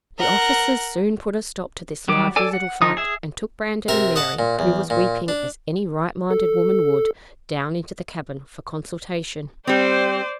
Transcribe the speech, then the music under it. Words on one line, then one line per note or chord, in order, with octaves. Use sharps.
The officers soon put a stop to this lively little fight, and took Brandon and Mary, who was weeping as any right-minded woman would, down into the cabin for consultation.
A#4 F#5
F#3 G3 D6
A4 D5 G#5
F#5
F3 D#4 D#6
G#4 E5
C3 A#4 E5
D#5 F#5 A5
A#2
E2
A#2
D4
A4
G3 C4 C5 D5